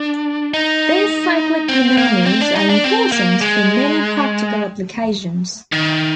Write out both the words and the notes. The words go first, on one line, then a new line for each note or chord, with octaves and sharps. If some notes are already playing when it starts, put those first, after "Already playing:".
These cyclic monomers are important for many practical applications.
Already playing: D4
D#4
C4
A#3
C4
D4
D#4
D4
C4
A#3
G#3
D#3